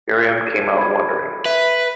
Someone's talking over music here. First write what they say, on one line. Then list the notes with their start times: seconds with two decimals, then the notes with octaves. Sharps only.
Miriam came out wondering.
0.38 G#6
0.78 B5 G#6
1.45 B4 E5